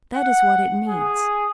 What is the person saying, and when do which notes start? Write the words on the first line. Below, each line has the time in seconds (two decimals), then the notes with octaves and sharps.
That is what it means.
0.14 F#5
0.88 G#4